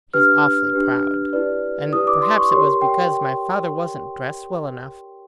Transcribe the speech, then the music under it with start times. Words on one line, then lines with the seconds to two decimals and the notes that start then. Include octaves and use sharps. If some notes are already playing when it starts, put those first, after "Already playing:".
He's awfully proud; and perhaps it was because my father wasn't dressed well enough.
0.13 D4 G4 B4 F6
0.73 D4 G4 B4
1.33 E4 G4 B4 D5
1.93 E4 G4 B4 D5 D#6
2.07 D6
2.22 C6
2.37 C#6
2.52 G4 A#4 C#5 C6
2.82 G5